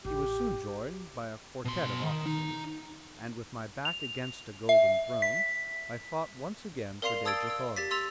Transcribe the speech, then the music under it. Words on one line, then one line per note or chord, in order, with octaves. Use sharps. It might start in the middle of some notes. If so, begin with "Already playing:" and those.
He was soon joined by a quartet of officers, and, with my back against a golden throne, I fought once again for Dejah Thoris.
A1 G4
B2 C6
D#3
D#4
F7
E5
B6
A#4 D5 F5 C6 C7 F7
A5 D#6 E6 G#6 A6 D7
E6 D7
G4 A6 B6
C6 E6 A6 F7